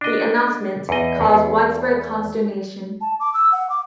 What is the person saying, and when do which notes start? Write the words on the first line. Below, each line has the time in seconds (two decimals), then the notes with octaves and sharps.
The announcement caused widespread consternation.
0.01 D4 D#5
0.89 E2 D#5
1.21 E2
3.01 A5
3.20 D6
3.34 E6
3.52 F#5
3.70 D6